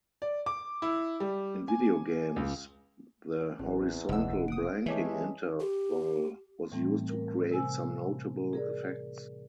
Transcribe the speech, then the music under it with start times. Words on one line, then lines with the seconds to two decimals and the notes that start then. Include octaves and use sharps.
In video games, the horizontal blanking interval was used to create some notable effects.
0.22 D5
0.46 D6
0.82 E4
1.20 G3
1.68 G#5
2.36 C#2
3.59 A1 E2 C4
4.09 F1 D2 D#5 F#5 E6
4.48 B1 F#5 D#6 D7
4.86 E3 G#3 G4 B4 C#5 E5 G#5 A5
5.60 G4
6.72 A2 E3 G3 A3 C4
7.09 A#4
7.52 C3 G#5 E6
8.53 G#4 A#4 D5